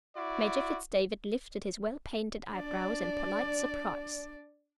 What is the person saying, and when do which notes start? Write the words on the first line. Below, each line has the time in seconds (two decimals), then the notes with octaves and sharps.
Major Fitz-David lifted his well-painted eyebrows in polite surprise.
0.16 E4 F#4 D5
2.51 D4 D5